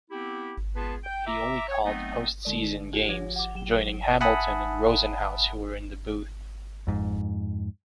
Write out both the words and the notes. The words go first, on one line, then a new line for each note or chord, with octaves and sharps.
He only called postseason games, joining Hamilton and Rosenhaus who were in the booth.
B3 C4 E4 G4
C#2 B3 F4 G#4 B4 A5
G5
E5 A#5 D6
C#5
F#3 A3 B3 C4 D#4
D3 G#3 D5
F4 G4
F3 C#5 G#6 A#6
F#5 D6
F#3 E7 G7
E5 F#5 G#5 A5 B5 D#6
F2 G#2